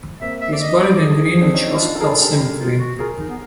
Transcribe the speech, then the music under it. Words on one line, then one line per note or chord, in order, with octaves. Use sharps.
He is buried in Greenwich Hospital Cemetery.
A#3 C4 E5
E5
D5
D#5
D5
G#4
C4 D4
C#4 D#4
D4 E4
C#4
D4 D#4 F4
A4
G#4 A#4
G4 A4
F4
F#4
F4 G#4 A#4
D#4
B3